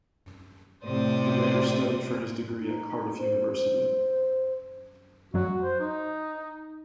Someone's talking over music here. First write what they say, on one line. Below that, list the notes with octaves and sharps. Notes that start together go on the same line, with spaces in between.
He later studied for his degree at Cardiff University.
A2 C3 C5 D5 D#6
D#4
C5
C5
F#2 F#3 G3 F#4
C5
D#4